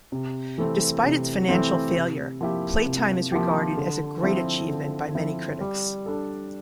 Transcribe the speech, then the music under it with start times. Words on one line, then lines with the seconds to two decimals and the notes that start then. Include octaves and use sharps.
Despite its financial failure, "Playtime" is regarded as a great achievement by many critics.
0.12 C3
0.58 E3 A3 C4
1.03 C3
1.49 E3 A3 C4
1.94 C3
2.41 F3 A#3 E4 G4
2.86 C3
3.32 F3 A#3 E4 G4
3.77 D3
4.23 F3 C4 E4
4.69 D3
5.15 F3 C4 E4
5.60 G3
6.06 D4 A4